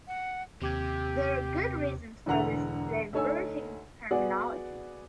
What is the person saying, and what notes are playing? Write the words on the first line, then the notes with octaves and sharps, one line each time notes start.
There are good reasons for this diverging terminology.
F#5
D#2 C3 G4 D6 G#6
E1 E2 D3 F#5 A#5 F7
D2 D#4 A4 C#5 G#5 E6
B3 F#4 G#4 D5 F#5